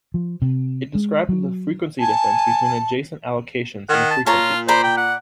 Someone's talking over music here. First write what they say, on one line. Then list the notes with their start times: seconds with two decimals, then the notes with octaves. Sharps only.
It describes the frequency difference between adjacent allocations in a frequency plan.
0.14 F3
0.42 C3
0.95 G#3
1.29 F#3
2.00 G#5 A5
3.89 D#3 F#5
4.11 A5
4.26 A#2 F4 C#5 A5 A#5
4.68 C5 D5 A#5 B5
4.84 G5
4.97 F#5